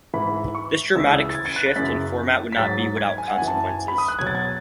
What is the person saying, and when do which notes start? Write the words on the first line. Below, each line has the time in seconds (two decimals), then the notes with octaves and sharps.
This dramatic shift in format would not be without consequences.
0.14 G#2 E3 B5
0.55 C#6
0.96 C#2 C#3 E3 E6
1.30 A6
1.35 G#6
1.45 A6
1.56 F#6
1.66 A6
1.76 F#2 C#3 E3 B6
2.52 B6
2.56 G#2 F#3 A6
2.97 G#6
3.18 G#5
3.28 F#5
3.37 F#2 E3 G#5
3.48 A5
3.68 G#5
3.88 B5
3.98 D#6
4.08 F#6
4.19 E2 B2 F#3 G#6
4.27 A6
4.35 G#6